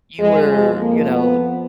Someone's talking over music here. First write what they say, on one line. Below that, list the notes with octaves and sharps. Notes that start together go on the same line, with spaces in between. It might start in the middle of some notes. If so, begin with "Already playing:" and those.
you were, you know,
F2 F3 G#3
G#3
A#3
B3